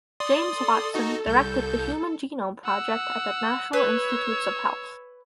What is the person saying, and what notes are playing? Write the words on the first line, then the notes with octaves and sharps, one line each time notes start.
James Watson directed the Human Genome Project at the National Institutes of Health.
D5 C6 D#6
A4
D#4 F#4 D#5
C2 G6
F#5 E6
B4 C#5 E6